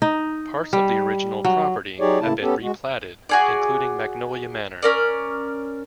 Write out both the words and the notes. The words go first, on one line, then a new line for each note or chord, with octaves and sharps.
Parts of the original property have been replatted, including Magnolia Manor.
D#4
G3
F#3
F#3 D#4 G4 G#4 C#5 D5
A2 C#3 A#3 E4 A5
B3 C#4 G4 A4
G#3 F#4
F#4 G#4 D5
C#4 A#4 D5